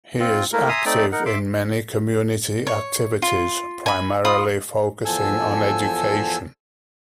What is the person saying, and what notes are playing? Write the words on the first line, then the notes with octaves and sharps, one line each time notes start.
He is active in many community activities, primarily focusing on education.
C4 F4
A3 A#3 E4 A#4
E5 G#5 A#5 C6 D#6
A3 C4 D#4 D5
D#4 A#4 F#5
E5 C6 D6
C#5
F4
G#5 B5
F4 B5 D#6
E2 F3 A4 G#5 E6